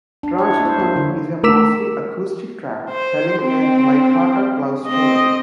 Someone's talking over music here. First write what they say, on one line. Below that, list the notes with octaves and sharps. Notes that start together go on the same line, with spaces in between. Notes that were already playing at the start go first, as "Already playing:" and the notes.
"Tragic Comic" is a mostly acoustic track telling a light-hearted love story.
D4
C#5
E4
C5
A#3
D3
A3 A#4 D6 E6 B6 E7
C5
C4
C4 D#5